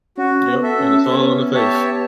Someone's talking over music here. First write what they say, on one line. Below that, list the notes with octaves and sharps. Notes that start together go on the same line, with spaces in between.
Yep, and it's all on the face.
C#4 F#4
B3
A4 E5
C#4
B3 C#4
G4 C#5 E5 A5